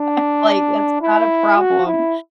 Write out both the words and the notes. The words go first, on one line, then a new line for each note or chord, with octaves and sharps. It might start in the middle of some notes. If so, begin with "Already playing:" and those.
I'm like, "That's not a problem."
Already playing: D4
E4
F#4
E4